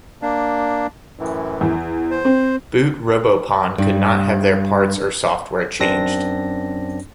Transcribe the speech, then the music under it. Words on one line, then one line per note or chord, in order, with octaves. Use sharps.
Boot Robopon could not have their parts or software changed.
A#3 D4
F#2 A2 E3
E2
C5
C4
G2
F#2 C4 D4 A#6